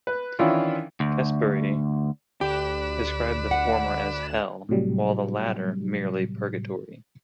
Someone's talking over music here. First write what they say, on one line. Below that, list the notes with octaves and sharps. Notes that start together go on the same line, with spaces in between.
Caspary described the former as hell, while the latter merely purgatory.
B4
D#3 E3 C#4 D4 E4 F4
D2
D2 G4 D5 B5 F#6 E7
F#5
A2 C3 F#3 G3